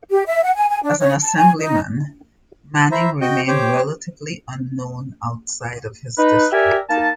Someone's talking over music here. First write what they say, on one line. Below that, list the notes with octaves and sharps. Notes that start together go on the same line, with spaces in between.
As an Assemblyman, Manning remained relatively unknown outside of his district.
G4
E5
F#5
G#5
G#5
D4
C#5
A5
G#5
D#4
E4 C5 E5 A#5
F#4 D#5 G5 G6
G4 C5 C#5 G5 D6
D#4 B4
G4 A#4 D5 E5 G#5
A#3 D#4 A5